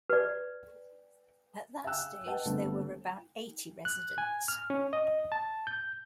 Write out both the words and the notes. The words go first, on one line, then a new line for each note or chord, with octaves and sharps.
At that stage there were about eighty residents.
B4 D5
E5 F5 G5 G#5 E6 F#6
B4 D#5 F#5 G5 A5
G1 A3 B3 C4 A5
F#6
G#5
F6
C#4
D#5
A5
G6